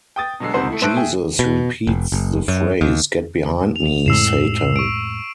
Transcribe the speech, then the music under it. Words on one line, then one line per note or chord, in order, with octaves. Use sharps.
Jesus repeats the phrase Get behind me, Satan!
G5 D#6 A6
B2 D3 F#3 G#3 E6 C7
F2 C3 D#3 C5 F#5 C7
A3 E4
A2 C5 E5 A5 F#6 D7
G#4 E5 G5 G#5
B2
F1
F#1
F#2
D#2
F7
F2 A2 G#3 E6 C7 E7
C#6 D7